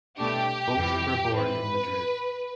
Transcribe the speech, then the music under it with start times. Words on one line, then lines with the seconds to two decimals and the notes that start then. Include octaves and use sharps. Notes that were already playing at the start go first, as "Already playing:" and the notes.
Both were born in Madrid.
0.19 C2 B2 A3 D4 G4
0.75 F2 C3 E3 G3
1.31 A2 E3 G3 C4 B4